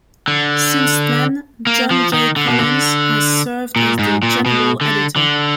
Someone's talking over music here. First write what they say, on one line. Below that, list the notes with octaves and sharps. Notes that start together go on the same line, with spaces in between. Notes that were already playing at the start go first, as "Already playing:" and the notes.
Since then John J. Collins has served as the General Editor.
D3
A#3
F3
D#3
D3
B2
D3
A#2
G#2
A#2
B2
D3
D3